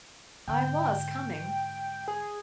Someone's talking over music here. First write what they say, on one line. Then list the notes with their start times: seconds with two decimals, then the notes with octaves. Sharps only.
"I was coming."
0.48 G#2 D3 G5
2.08 G#4